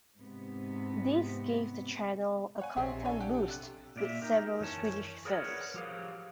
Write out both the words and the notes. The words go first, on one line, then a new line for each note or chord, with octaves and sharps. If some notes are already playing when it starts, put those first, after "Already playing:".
This gave the channel a content boost with several Swedish films.
G#2 C3 B3
C#5 F#5 G#5
A#1 C3 C4 G#4 C#5 D#5 E5
D4 A4 C#5 G#5
G4 F#5
C3 F#6
A#2 D5 E5
D#4 G4 A#4
F#2 E3 C#4 A5
G#4 A#4 B4 C#5 D5 F#5
F3 F#3 G4 G#4 F5